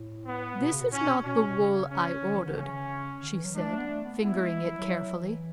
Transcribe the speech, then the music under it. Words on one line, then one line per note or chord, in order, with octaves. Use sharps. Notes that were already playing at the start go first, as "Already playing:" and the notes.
"This is not the wool I ordered," she said, fingering it carefully.
Already playing: A2
B3
B2
C#3
B2
A2 C#4
B2
B2 C#4
B2
B2
C#3
C#4
D3
E3
D3
C#3 C#4
D3
E3
F#3
G#3 D4
A3
B3
A3
B3
B3 E4
G#3
G#3
F#3
E3
F#3
E3